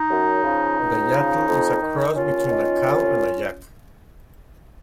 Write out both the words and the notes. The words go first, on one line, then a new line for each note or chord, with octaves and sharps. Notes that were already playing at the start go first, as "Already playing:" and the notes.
The yattle is a cross between a cow and a yak.
Already playing: D#4
F#2
C#3 F3
C#2
C#3 F3
F2
D#3
D#2 C#4 F4
D#3
C2